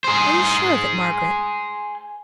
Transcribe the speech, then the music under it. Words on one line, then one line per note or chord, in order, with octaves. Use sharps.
Are you sure of it, Margaret?'
G#4 C5